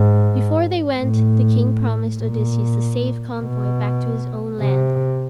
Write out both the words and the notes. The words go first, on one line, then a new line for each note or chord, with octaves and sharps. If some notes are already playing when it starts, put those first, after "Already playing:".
Before they went the King promised Odysseus a safe convoy back to his own land.
Already playing: G#2
A2
A#2
B2
C3